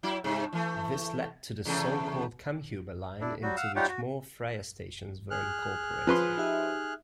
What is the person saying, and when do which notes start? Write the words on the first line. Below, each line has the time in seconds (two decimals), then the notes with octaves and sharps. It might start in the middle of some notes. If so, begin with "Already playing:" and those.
This led to the so-called Kammhuber Line into which more "Freya" stations were incorporated.
0.03 F#3 E4
0.24 G2 C3
0.53 E3 A3
1.65 E2 C3 A3
3.21 D4 E4
3.42 F#3 G3 F#4
3.57 F5 F#5 E6
3.76 G3 D#4 F4 G4 C#5 F#5
3.88 F#4
5.30 G#4 F6 F#6
6.07 F3 B4 C6
6.37 D#4 G4 E5